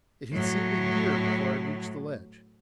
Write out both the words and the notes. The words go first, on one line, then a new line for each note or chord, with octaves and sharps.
It seemed a year before I reached the ledge.
A2 F#3